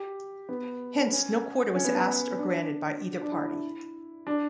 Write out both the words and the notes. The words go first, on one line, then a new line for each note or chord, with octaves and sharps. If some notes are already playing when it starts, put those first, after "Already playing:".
Hence no quarter was asked or granted by either party.
Already playing: G4
B3
C#4
C#4
B3
C#4
D4
D4
E4
D4